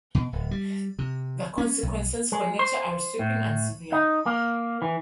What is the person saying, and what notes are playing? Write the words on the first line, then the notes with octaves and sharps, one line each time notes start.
The consequences for nature are sweeping and severe.
B2
D1
G3
C3
C#4
B1
G#3
C5
A2
D#4
A#3
E3